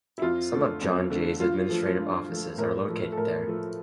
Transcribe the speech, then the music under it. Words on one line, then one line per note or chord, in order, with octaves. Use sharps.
Some of John Jay's administrative offices are located there.
E4
F2 F4
D3 A3
F2
D3 A3
G2 F4
F3 A3
G2
F3 A3
A2 A#4
F3 A3
A4
A2 A#4
F3 A3